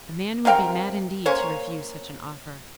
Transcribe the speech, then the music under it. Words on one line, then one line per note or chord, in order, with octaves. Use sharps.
'A man would be mad indeed to refuse such an offer.
C3 A#4 F5 G5
A#3 C#4 C5 C#5